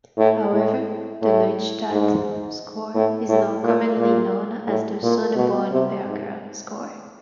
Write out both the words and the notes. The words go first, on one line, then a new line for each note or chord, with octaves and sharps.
However, the Neustadtl score is now commonly known as the Sonneborn-Berger score.
A2
A2
A2
G#2
A2
A2
A#2
A#2
A2
A#2
B2
C3
G#2